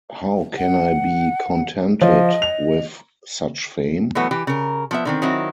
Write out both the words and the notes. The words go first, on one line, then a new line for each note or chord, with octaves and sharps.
How can I be contented with such fame?
F#5
F3 D#5
F7
E3 F#3 A3 B3
E3 G4
C#3 A#4
F3 B3 E5
D3 D#3 C4
D#3 F#3 C4 E4